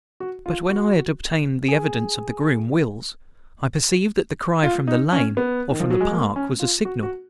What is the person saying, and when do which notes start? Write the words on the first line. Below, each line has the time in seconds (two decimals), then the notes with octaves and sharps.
But when I had obtained the evidence of the groom, Wills, I perceived that the cry from the lane or from the park was a signal.
0.20 F#4
0.46 F4
0.70 F#4
1.68 G#4
4.63 F4
4.87 D#4
5.13 C#4
5.37 B3
5.70 D#3
5.80 F3
5.90 F#3
6.00 G#3
6.11 A#3
6.36 C#4
6.60 F4
6.85 F#4
7.03 F#4